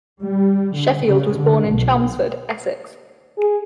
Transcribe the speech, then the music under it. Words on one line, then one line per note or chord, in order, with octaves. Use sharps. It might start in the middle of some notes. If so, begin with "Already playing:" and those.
Sheffield was born in Chelmsford, Essex.
G3
D3
C#3
D3
B1
G#4